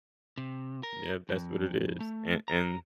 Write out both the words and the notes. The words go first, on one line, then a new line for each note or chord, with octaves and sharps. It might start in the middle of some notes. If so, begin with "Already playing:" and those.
Yeah, that's what it is. A and
C3
A#4
F2
A3
A#5